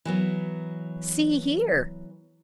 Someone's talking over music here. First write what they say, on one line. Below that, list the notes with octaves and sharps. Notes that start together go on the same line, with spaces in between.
See here.
E3 F#3 B3